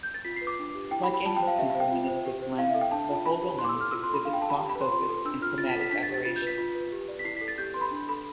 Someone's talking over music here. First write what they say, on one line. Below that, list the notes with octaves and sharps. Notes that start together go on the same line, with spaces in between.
Like any simple meniscus lens, the Holga lens exhibits soft focus and chromatic aberration.
G6
A6
F4 B6
C7
B4
D6
D4
G4
E4 G5
B5
G4
B5
F4 A5
G5
C5
F5
G4 E5
F5
C5
G5
F4
C5
G4
C5
E4 F5
E5
A4
G5
D4 A5
F4 A5
E4 B5
G4
E4 C6
D6
E6
A4
F6
F4 E6
C6
A4 B5
D4 F5
G5
A4 A5
B5
G4
B5
B4
C6
F4 C6
A4
D4 E6
F4 F6
F4 A6
B6
A4
B6
D4 B6
A6
G4
A6
F4 A6
G6
B4 B6
F4
B4
G4
D5
B6
E4 C7
B6
A4
A6
G4 G6
B4 C6
B5
D4
A4 B5